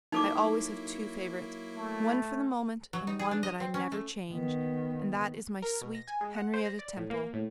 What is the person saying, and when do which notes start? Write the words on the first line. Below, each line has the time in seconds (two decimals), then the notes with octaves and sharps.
I always have two favourites: one for the moment, and one that I never change, and that is my sweet Henrietta Temple.
0.12 F#3 A#3 D#4 E4 A4 D6
1.76 A3
2.93 F#3
3.07 D#4
3.19 G#4
3.31 D4
3.43 D#5
3.60 C4
3.74 C#4
3.92 A3
4.32 D#3 B3
5.62 A#4
5.81 B2
5.95 A#6
6.07 G#5
6.21 G#3
6.36 F#5
6.54 C5
6.66 A#6
6.79 D5
6.97 A2
7.10 A#3
7.33 A2